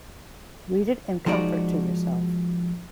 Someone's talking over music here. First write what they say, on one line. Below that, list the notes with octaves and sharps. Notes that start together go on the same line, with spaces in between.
Read it in comfort to yourself.
F3 G#3 D#4 F#4 D5